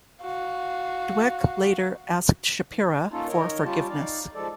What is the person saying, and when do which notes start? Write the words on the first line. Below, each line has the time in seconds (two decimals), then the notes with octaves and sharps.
Dwek later asked Shapira for forgiveness.
0.22 F#4 F5
3.11 A#3 C#4 D#4 F4 A4
3.27 D#3 A#4 C#5 D#5
3.65 G3 C#4 F4 G4 A5
3.90 D#4 D5 F5
4.35 F3 G#3 A4 D5